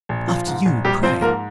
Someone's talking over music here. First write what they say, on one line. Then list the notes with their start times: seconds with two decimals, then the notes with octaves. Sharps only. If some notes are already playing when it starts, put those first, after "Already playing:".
"After you, pray!"
0.09 A#1
0.28 F3
0.47 G#2
0.65 A#1
0.85 A#1 G3 G4
1.03 F3 C4 C5
1.21 G#2 A#3 A#4